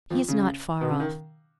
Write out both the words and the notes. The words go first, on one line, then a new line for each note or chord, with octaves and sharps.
He is not far off....
F2 F3
C#3
B2
C#3
D#3